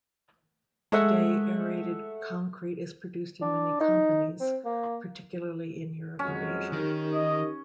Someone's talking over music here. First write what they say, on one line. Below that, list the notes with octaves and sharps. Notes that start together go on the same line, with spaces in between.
Today aerated concrete is produced in many companies, particularly in Europe and Asia.
G#3 A3 E5 F#5
D4
D#4
C4
A#3
F2 F#3 G#3 C#4
D#3 D#4 G4 A#4
D#5